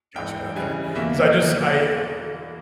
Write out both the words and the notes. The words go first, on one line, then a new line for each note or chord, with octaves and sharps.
Gotcha, okay, 'cause I just I
G#2 E3 G#3 G5
C#3 E3 G3 G#5
E2 B2 A#3 E5